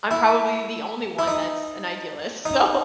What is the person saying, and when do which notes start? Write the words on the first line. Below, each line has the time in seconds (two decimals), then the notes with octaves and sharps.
I'm probably the only one that's an idealist, so,
0.11 E4
1.19 E4
1.28 D#4
2.45 D#4